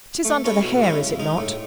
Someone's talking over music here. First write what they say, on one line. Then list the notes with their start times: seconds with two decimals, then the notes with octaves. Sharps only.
It is under the hair, is it not?'
0.25 A3
0.44 C#4 E4 A4 C#5
0.63 B2
0.82 G#3 C#4 E4
1.00 C#3
1.20 G#3 D#4
1.37 A2